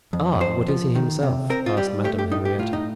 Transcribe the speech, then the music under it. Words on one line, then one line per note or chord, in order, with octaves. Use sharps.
"Ah! what is he himself?" asked Madame Henrietta.
F2
F2 C5
F3
D#3
C3
C4 A#4
F4
G3 G4
A3 G4
G4
A2 D#4
G4
A2 F4
D#4